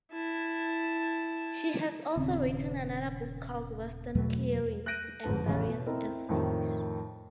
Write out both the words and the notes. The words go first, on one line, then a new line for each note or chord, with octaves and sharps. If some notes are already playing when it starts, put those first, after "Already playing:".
She has also written another book called "Western Clearings" and various essays.
E4 A5
D#1 D#2 C#3 C4
E2 B2 F#3 A3
F#6 G6 A#6 D7 D#7
G1 F2 G#2 B4 A5
A1 E2 C#3 C#4
B2
C4 E4 A#4 D#5
F2 A2 D#3 F3